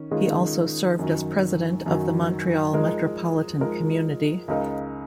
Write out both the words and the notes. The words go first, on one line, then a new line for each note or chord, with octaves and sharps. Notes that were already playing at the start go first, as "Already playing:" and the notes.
He also served as president of the Montreal Metropolitan Community.
Already playing: D#3 C#4
D#3 G#3 C#4 F4 G#4
F#2 D#3 F#3
F#2 D#3 F#3
F3 G#3 D#4 A#4
F3 G#3 D#4 A#4
C#2 C#3 G#3 D#4 A#4